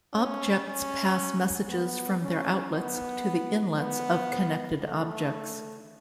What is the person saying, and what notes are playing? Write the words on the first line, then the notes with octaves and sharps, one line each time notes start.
Objects pass messages from their outlets to the inlets of connected objects.
C#4
C#4
B3
C#4
B3
B3
A3